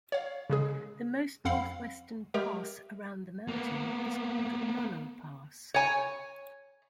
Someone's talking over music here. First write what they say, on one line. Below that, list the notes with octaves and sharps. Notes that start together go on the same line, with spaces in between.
The most northwestern pass around the mountain is called Lolo Pass.
C#5 F5
C#3 G#3 G#4
F2 C4 F5 F#5 B5 C7
G#3 G4 A#4 E5
A#3 B3
C#5 G#5